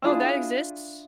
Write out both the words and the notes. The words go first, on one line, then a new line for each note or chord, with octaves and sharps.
Oh, that exists?
D4 E4 F4 G#4